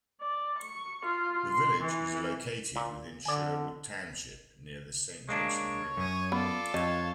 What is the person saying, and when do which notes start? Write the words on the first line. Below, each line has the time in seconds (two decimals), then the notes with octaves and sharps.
The village is located within Sherwood Township near the Saint Joseph River.
0.21 D5
0.59 C#6
1.06 F4
1.51 C6
1.84 E3
2.76 A#2
3.25 D3 D5 G#5
5.29 G#3 A#3 D4 C#5
5.97 F#2 C#6 D#6
6.32 B3 F4 A4 D5
6.74 F2 C#5 D#5